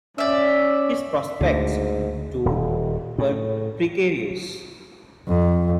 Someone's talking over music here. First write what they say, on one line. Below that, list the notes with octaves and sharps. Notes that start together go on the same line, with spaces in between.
His prospects, too, were precarious.
C#4 D5 E5
D2 G#2 D3
D#1
A2
F2